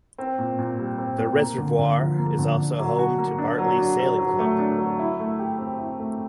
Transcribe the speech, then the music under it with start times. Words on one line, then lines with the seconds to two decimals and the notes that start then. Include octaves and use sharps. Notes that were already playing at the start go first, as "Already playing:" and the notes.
The reservoir is also home to Bartley Sailing Club.
0.18 C4
0.38 A#2
0.59 A#2
0.78 G3
0.98 C4
1.18 A#2
1.39 A#3
1.58 D3
1.79 D3
1.98 F3
2.18 A#3
2.39 D3
2.59 D4
2.79 F#3
2.99 F#4
3.18 A#3
3.38 D4
3.58 F#3
3.79 D4
3.99 F#3
4.19 F#3
4.39 A3
4.59 D4
4.78 F#3
4.99 E4
5.19 A3
5.39 G4
5.59 C4
5.78 E4
5.99 A3